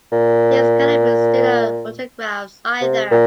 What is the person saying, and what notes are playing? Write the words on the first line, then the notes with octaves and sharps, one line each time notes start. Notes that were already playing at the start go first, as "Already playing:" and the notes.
These cannot be studio photographs either.
A#2
C3
A#2